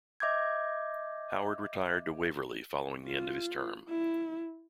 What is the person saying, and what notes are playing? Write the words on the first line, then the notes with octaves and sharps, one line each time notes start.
Howard retired to "Waverly" following the end of his term.
D#5 E5 D6 G6 G#6
F4
E4